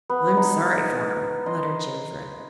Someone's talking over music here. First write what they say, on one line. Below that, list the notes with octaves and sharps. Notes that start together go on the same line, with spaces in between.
"I'm sorry for him," muttered Jimfred.
B3
D#4
D#5 C6